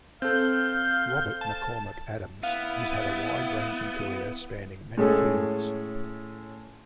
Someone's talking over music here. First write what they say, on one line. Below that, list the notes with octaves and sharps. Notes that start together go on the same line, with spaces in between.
Robert McCormick Adams has had a wide-ranging career spanning many fields.
C4 A4 F5 G6
A5
B3 E4 F5
A2 G#3 C#4 G#4 A4